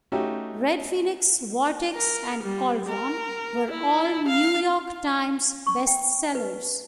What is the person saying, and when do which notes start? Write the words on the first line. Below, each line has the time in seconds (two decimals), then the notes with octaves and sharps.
"Red Phoenix", "Vortex", and "Cauldron" were all New York Times bestsellers.
0.12 A3 C#4 D#4 F#4 G4
1.95 A#4
2.43 G3
2.89 A#4
3.71 E4
4.28 F5
5.67 C#6
5.87 G5
6.35 B4